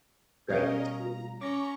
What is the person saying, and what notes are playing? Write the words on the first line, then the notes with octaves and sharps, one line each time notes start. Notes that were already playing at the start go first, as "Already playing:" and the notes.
right, tea
B2 G3 C#4 A#4 D#5 F5
A#5
C#4 A#5 C#6 D6 A#6